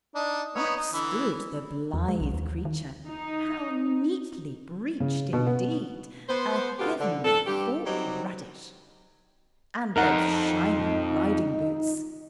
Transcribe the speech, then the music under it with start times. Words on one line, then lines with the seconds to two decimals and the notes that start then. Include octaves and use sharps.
Up stood the blithe creature--how neatly breeched, indeed, a heavenly forked radish--and those shining riding boots!
0.15 D4 D#4
0.55 B3 D#4 C#5
0.76 D#4
0.93 D3 E3
1.94 E2
2.08 G#3
2.21 B1
2.34 D#2
2.65 D#3
3.08 D#4
5.00 C#3
5.33 B2
5.46 B3
6.28 B3 C5
6.79 B2 D3 B3 F4 G4
7.00 D3
7.24 F2 D4 A4
7.47 G2 G4
7.85 F#3 G3 C4 D#4 G4
9.96 F2 D#4 A#4 F#5